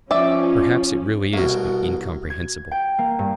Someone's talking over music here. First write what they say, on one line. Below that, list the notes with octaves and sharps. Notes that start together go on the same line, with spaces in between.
Perhaps it really is incomprehensible.
F3 C#4 D5 E5
C2 B2
G#6
G5
A#3
G2